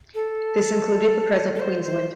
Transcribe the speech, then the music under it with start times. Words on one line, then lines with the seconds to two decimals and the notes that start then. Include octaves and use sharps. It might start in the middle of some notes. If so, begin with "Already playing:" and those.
This included the present Queensland.
0.15 A4
1.55 A4
1.60 C5
1.84 C5